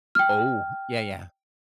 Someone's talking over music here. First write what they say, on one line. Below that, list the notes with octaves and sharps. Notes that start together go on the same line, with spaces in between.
Oh, yeah, yeah.
G5 F6